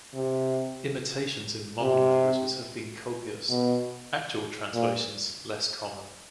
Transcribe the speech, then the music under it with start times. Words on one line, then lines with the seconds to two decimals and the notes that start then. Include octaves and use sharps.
Imitations in modern languages have been copious, actual translations less common.
0.15 C3
1.81 C3
3.50 B2
4.74 A#2